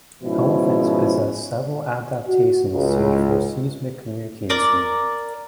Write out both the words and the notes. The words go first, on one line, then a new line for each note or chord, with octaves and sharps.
Elephants possess several adaptations suited for seismic communication.
G#2 B2 F3 C#4 E4
F#4
C#2
A#4 D5